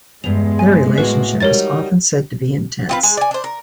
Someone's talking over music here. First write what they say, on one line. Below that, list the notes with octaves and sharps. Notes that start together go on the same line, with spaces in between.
Their relationship is often said to be intense.
E2 G2 G#3 F7
G#5
A2 A#3 F#4 B4
G3 D#4 F#4 A#4 C#5 A6
C4 F4 B4
G#3
D5 G#5
D4 C5
A#4